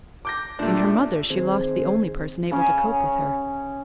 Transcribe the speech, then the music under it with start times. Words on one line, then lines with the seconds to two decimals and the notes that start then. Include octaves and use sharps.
In her mother she lost the only person able to cope with her.
0.25 D6 G6 A#6
0.59 A#2 G3 A3 D4
1.30 D#3 C4 G#4 C5
2.51 C#3 C#4